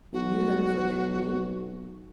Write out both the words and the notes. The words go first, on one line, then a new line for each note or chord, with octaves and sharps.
"Will you then forget me?"
B1 F#4